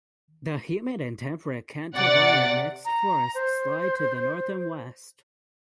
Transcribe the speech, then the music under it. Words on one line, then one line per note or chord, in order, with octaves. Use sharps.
The humid and temperate Cantabrian mixed forests lie to the north and west.
C3 D5 F#5 A6
A#5
C5